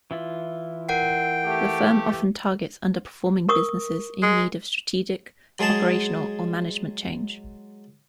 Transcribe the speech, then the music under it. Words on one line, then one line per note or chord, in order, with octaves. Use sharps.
The firm often targets under-performing businesses in need of strategic, operational, or management change.
E3 E4 F4
A#4 F#5 G5 C7
A3 G4
A#4 C#6 D#6
G#3
F#3 G#3 G#4 A5